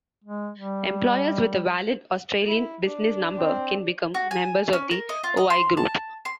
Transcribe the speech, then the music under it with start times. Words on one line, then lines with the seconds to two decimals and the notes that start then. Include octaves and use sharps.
Employers with a valid Australian Business Number can become members of The Oi Group.
0.24 G#3
0.56 G3
2.46 E4
2.85 D4
3.38 C4
4.14 F#4
4.31 G#5
4.73 C#4
4.91 A#4
5.09 D#5
5.24 F4
5.37 D#5
5.50 C6
5.77 A5
6.25 C6